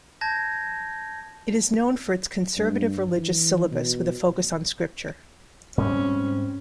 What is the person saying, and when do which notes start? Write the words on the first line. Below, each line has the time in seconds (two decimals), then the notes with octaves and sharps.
It is known for its conservative religious syllabus with a focus on scripture.
0.21 A5 G6 G#6 A#6
2.57 G2
3.14 E3
3.71 B2
5.78 G#2 G3 C4 C#4